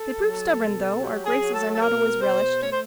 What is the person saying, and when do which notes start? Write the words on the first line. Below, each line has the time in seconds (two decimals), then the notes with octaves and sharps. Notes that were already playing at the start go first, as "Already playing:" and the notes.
They prove stubborn though; our graces are not always relished.
Already playing: A4
0.17 F#3
0.57 B2
0.98 F#3 G4
1.26 G#4
1.39 F#3
1.53 A4
1.74 A4
1.80 B2 A#4
2.21 B2 C5
2.62 A3 C#5
2.71 C5